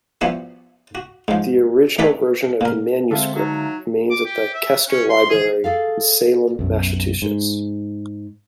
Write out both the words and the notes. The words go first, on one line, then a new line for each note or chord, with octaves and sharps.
The original version of the manuscript remains at the Kester Library in Salem, Massachusetts.
F3 G3 B3 E4 F#4
F#4
G#2 F3
A3 D4 G#4 A4 B4 E5
A#2 A#4
D3 G#3 C4 A4 E5 F5
F#3 D#4
D6
G4
E5
C#4
C6
G#4
G#4 A4 F5
B1 F#2
G#2